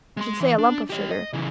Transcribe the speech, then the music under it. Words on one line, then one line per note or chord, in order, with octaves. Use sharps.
I should say a lump of sugar.
G#3 C6
E3
D4
G4 D#5
D#5
C#3 E3